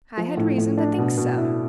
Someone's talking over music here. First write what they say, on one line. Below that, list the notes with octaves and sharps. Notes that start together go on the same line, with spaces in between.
"I had reason to think so."
F3
A2
A2
D4
B2
B2
E4